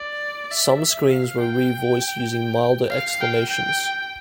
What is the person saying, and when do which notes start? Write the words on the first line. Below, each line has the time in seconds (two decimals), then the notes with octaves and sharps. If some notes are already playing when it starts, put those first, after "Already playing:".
Some screams were re-voiced using milder exclamations.
Already playing: D5
0.51 E5
1.11 F5
1.40 G5
2.90 F5
3.21 G5
3.50 G5